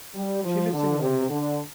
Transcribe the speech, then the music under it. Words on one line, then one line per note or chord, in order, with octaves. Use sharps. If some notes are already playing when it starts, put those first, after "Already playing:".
She lives in London.
G3
F3
D3
C3
D3